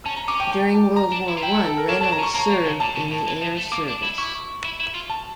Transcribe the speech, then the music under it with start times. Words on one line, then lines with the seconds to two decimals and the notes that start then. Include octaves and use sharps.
During World War One, Reynolds served in the Air Service.
0.06 C#4 A5
0.16 A#5
0.28 C#4 D6
0.40 G5
0.52 G5
0.74 A5
0.96 A#5
1.12 D4
1.28 E4
1.37 F4
1.42 E4 G5
1.54 A4
1.66 A4
1.77 A#4
1.88 D4 C#5
2.01 D4 A5
2.12 A#5
2.19 C#4
2.23 C#6
2.34 A#3 A#5
2.50 A#3
2.65 C#3
2.80 A#2 A5
2.96 C#3
3.11 A2
3.27 E3
3.42 F3
3.57 A3
3.72 A#3 D6
3.88 D4
4.03 E4
4.18 E4 C#6
4.65 E4
4.80 E4
4.94 F4
5.10 A5